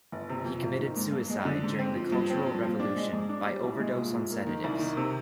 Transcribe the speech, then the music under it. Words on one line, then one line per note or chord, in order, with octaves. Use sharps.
He committed suicide during the Cultural Revolution by overdose on sedatives.
G1
C3
F2
G#1
D#3
G#2
G2
G#3
D3
G#2
C4
F3
G2
C4
F3
A#2
D4
G#3
G#2
D4
G3
C2
G#3
A#2
G#2
A#3
D#3
C2
D#3
C3